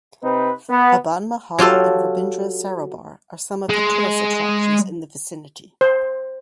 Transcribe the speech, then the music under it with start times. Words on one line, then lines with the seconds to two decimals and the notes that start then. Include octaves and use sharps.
Aban Mahal and Rabindra Sarobar are some of the tourist attractions in the vicinity.
0.23 C3 C4 D#4 B4
0.68 B3
1.59 F#3 F4 G4 A4
3.69 G#3
5.81 C5